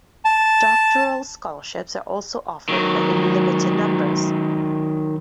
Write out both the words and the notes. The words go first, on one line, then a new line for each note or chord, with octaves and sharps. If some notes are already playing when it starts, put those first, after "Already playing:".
Doctoral scholarships are also offered but in limited numbers.
A5
D#3 F#3